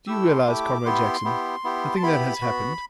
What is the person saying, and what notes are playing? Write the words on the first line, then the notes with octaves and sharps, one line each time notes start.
Do you realize, Comrade Jackson, the thing that has happened?
A3 E4 G4 E6
C6
A3 E4 G4 D6
B3 E4 G4 C6
B3 E4 G4
B3 E4 G4
A5
B3 E4 G4 B5
B3 F#4